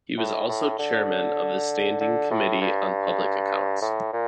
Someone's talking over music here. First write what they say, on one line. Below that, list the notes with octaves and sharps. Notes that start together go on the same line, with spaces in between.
He was also chairman of the Standing Committee on Public Accounts.
A2
A2
D3
D3
A2
G2
A2
A#2